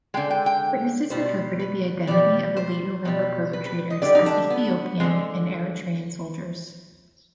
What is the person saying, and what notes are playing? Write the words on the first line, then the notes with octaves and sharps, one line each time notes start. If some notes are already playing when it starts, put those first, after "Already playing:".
Witnesses interpreted the identity of the late November perpetrators as Ethiopian and Eritrean soldiers.
D3 G#3 G5
G5
G5
B2 G3 C5
B4
B2 G3 D5
C5
B2 G3
B4
B4
D#5
D3 G3 D5
D#4
D4
B3
D3 G#3 C4